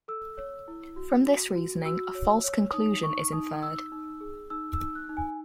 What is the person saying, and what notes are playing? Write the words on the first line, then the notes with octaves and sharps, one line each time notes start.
From this reasoning, a false conclusion is inferred.
A4 E6
C#5
E4
F#4
F#4
F#4
F#4 E6
C#5
C#5
D#4 D#6
D#4 C#6
D#4 D#6
D#4 E6
D#4
G#4
D#4 E6
E6
D#4
F#6
D#4
G#5